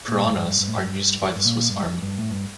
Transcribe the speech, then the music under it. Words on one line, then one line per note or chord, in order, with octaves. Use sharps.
Piranhas are used by the Swiss Army.
A#2
G2
G2
G2
G2
A2
G2
G2
F2
G2
A#2
G2
F2
G2
A2
G2